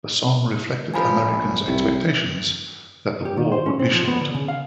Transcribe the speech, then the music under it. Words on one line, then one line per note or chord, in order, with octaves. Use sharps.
The song reflected Americans' expectations that the war would be short.
F3 G#5 A#5 B5
A#1
C2 E4 G4
G4
D#3
C5
C#4
C4
F3
B3
D3
C#3
F5